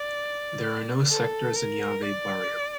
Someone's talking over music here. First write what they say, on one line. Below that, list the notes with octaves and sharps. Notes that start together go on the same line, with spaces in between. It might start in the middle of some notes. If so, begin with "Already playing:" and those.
There are no sectors in Llave barrio.
Already playing: D5
A4
A#4
D5